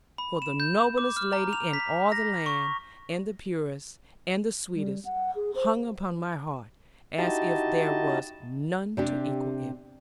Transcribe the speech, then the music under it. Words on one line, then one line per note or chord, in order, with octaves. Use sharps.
For the noblest lady in all the land, and the purest, and the sweetest--hung upon my heart, as if there was none to equal it.
B5
E7
G6
D6
F6
A#5
F7
B6
A#6
C#6
G3
F#5
G#4
C5
D#4 E4 F#4 G4 D#5 A5
C3 D4 G4